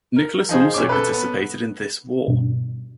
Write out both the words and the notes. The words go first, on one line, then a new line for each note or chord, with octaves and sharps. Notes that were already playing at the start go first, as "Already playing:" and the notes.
Nicholas also participated in this war.
A#4
F3 D#4 G#4 C5
E1 C#4 D6
A4 B4
B3
G2 B2